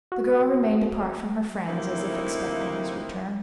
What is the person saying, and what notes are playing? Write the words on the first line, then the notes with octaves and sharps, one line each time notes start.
The girl remained apart from her friends, as if expecting his return.
F#4
D2 C3 F3 A#3 D#4 E4